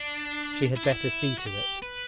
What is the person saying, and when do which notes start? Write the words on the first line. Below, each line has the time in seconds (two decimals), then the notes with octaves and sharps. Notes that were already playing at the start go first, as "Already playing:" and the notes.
She had better see to it.
Already playing: D4
0.77 E4
0.84 D4
0.91 E4
1.38 F#4
1.47 G4
1.82 B4